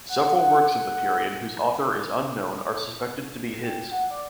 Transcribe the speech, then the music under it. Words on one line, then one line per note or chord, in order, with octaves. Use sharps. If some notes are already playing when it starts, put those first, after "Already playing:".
Several works of the period whose author is unknown are suspected to be his.
F#5
G5
F#5
D5